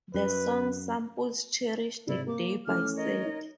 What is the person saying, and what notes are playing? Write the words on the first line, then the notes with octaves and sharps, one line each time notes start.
The song samples Cherish the Day by Sade.
F#2 B4
G#2 C3 E4 D5
A#3 A#4 D6
E3 A3 C#4 D6 F6
A#4 C#5 D#5
D#4